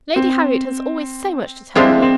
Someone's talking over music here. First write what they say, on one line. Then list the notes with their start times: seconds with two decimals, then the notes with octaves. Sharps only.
Lady Harriet has always so much to tell me.
0.16 C4
1.75 F3 G#3 C4 D4 E4 F4
2.02 C4